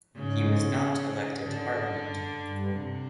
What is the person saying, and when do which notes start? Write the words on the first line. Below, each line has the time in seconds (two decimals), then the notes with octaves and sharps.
He was not elected to parliament.
0.16 G#2 C#3
1.44 G#2 D3
1.76 G#2
2.08 G2
2.41 G2
2.73 C3